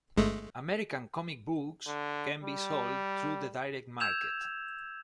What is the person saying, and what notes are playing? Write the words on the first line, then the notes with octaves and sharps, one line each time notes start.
American comic books can be sold through the direct market.
G1 G#3 A3
D3
G3
E6 G6 G#6 E7 F7